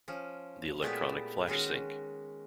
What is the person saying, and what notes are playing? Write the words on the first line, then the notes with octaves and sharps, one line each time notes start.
The electronic flash sync.
F3 C#4
A#2 G#3 A3 B3 E4 G4
D#3 G#3 C#4 F#4